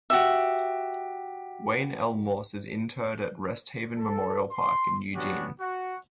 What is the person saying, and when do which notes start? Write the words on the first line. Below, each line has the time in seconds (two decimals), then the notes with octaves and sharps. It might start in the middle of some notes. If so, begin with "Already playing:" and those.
Wayne L. Morse is interred at Rest Haven Memorial Park in Eugene.
0.10 F#4 G4 E5
3.98 A4
4.52 C6
5.15 B3 C#4 D4 F#4 G4
5.60 F#4